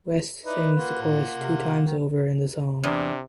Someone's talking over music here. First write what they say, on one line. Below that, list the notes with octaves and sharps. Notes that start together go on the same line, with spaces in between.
West sings the chorus two times over in the song.
D#4 E4 B4 D5
A#3 F4 F#5
A2
C3
D#3
E2 C3 D4